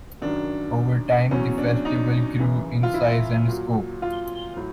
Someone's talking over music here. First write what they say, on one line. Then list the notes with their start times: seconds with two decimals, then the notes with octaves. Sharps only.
Over time the festival grew in size and scope.
0.22 F#2 D#3 F#3 D4
1.31 E2 B2 F#3 C#4
1.58 D4
1.85 D#4
2.39 F#2 C#3 E3
2.83 F4
2.94 E4
3.47 A#2 F#3
4.02 F4
4.56 A2 F#3